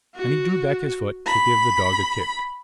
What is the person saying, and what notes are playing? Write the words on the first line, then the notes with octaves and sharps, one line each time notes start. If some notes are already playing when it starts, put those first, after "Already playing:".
And he drew back his foot to give the Dog a kick.
F#4
B5